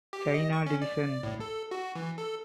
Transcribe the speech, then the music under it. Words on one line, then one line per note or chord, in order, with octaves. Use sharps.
China division.
G4
D#5
C#6
C#4
D5
A2
A4
F#4
E3
A4